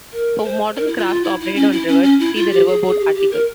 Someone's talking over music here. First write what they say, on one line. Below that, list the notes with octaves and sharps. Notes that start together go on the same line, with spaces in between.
For modern craft operated on rivers, see the Riverboat article.
A#4
A#4
C5
A#4
E4
F4
F4
E4
E4
C#4
E4
C#4
C#4
E4
F4
G4
G#4
G#4
G4
G4
A#4